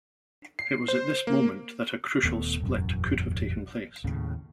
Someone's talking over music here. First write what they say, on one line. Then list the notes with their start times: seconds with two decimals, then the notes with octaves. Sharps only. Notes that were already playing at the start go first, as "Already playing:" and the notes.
It was at this moment that a crucial split could have taken place.
0.59 C7
0.88 C5
1.27 A#3
2.23 D#1 D#2 A3 B3
2.60 E1 A1 F#2
4.04 D#2 A2 C#3